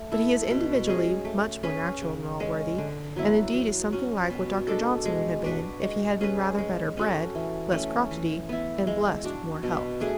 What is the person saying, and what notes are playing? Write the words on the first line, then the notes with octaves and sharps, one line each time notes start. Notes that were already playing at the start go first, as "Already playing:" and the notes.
But he is individually much more natural than Allworthy, and indeed is something like what Dr Johnson would have been if he had been rather better bred, less crotchety, and blessed with more health.
Already playing: A3
E4 A4
B2
G#3 C#4 G#4
A3
C#4 G#4 B4
C#3
G#3 C#4
D3
F#3 B3 E4
F#3
C#4 F#4
B2
G#3 D4 A4
G#3
D4 F#4 B4
G#3
C#4 G#4 B4
G#3
C#4 F#4 A4
E3
A3 C#4
E3
B3 E4
G#3
D4 F#4
B2
A3 D4 G#4